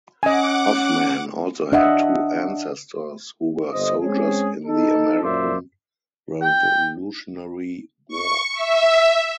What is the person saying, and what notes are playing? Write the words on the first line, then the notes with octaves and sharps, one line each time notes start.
Hoffman also had two ancestors who were soldiers in the American Revolutionary War.
C#4 D#5 F#5 G#5 D6
D4 D#5 E5 F#5
G1 D3 C5 D#5
G#3 C4 C#4 G#4
D#4 A4
F#2 A#2 A#3 C5 D5 E5
G5
C#6
E5